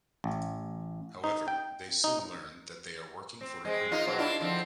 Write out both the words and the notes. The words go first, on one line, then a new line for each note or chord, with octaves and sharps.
However, they soon learn that they are working for a criminal.
A1
D#4
G5
D#4
C4
G#3 C4
A#3 D#4 F4
B2 F#3 C4
D4 E4 F4
D3 F3 C4